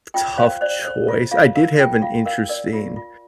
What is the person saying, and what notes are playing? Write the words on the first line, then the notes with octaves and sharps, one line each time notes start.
tough choice. I did have an interesting
F4 G5
C5 F5
C5 D5
C5
F4
F4 F5
A#4 F5
F4 G5
F4 F5
A#4 F5
A#4 D5
F4
F4